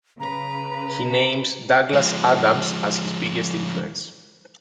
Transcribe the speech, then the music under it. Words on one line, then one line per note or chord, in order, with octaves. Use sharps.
He names Douglas Adams as his biggest influence.
C#3 B4 A#5
F3 G#3